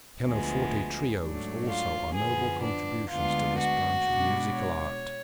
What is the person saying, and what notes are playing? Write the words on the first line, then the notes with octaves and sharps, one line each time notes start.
His pianoforte trios also are noble contributions to this branch of musical art.
D2 D3 F3 G#3 B3
G#2 F#3 A3 D4
F4
F#2 D3 F3 B3 G#4
D4
D2 D3 G#3 B3 D4 F4
F#4
B2 G#3 D4
C#5